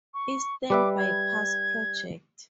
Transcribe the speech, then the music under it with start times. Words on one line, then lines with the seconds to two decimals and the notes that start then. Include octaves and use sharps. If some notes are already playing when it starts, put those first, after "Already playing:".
Eastern bypass project.
0.14 C#6
0.70 G3 B4 E5 D6
0.98 G#6